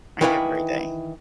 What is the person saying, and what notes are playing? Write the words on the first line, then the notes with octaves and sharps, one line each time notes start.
I Have a great day.
D#3 E3 E4 B4 F5 G5